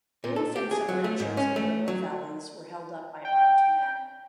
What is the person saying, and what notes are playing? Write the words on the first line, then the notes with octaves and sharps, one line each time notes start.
Inoffensive ranchers in remote valleys were held up by armed men.
A#2
A4
G4
G#4
F#3
A3
G#2
C#4
A3
F#3
G5